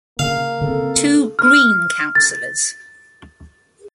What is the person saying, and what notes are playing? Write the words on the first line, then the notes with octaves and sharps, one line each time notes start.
Two Green councillors.
C#3 A#3 F5
C#3 C4 A4
F6
A6